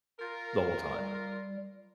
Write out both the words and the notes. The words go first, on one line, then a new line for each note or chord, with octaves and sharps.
the whole time.
F4 A#4
G3